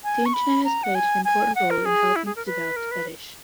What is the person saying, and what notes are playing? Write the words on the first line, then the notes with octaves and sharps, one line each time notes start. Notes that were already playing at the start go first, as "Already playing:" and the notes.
The internet has played an important role in helping to develop the fetish.
G#5
C#6
B5
A#5
F#5
G#5
G#5
F#5
A#4
G#4
E4
G#4
A#4
B4
A#4
B4